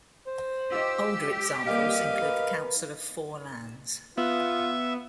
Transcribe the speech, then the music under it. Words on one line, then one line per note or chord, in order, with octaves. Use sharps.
Older examples include the Council of Four Lands.
C5
F4 G4 D#5 E6
F2 G3 A#3 D#5 F5
A#4 B4
B3 F4 E5